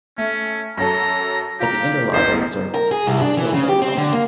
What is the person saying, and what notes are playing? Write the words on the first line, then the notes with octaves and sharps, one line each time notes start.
But the Interlagos surface was still very bumpy.
A3 C#4
F#2 F#3 A4 A#5
F4 G4 A#5
A1 E2 B3 C5
A#4
G#4
C2
D4
E3
C#3
G4
C4
D3
A#3